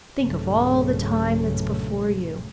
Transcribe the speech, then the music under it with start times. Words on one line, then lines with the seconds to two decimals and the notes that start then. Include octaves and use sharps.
Think of all the time that's before you.'
0.21 B1 G2 A#2 C#3 A3